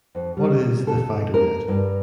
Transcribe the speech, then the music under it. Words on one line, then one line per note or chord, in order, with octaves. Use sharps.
What is the "FidoNet"?
F2
G3
A4
A#4
G2